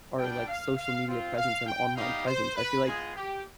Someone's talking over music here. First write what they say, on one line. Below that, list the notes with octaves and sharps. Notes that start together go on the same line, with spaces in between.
our, like, social media presence and online presence, I feel like
G3 B3 D4 G5
F5
F5
C4 F4
F5
G5
G3 B3 D#4 G4 F5
C5
B4
G#3 B3 F4 G#4
G4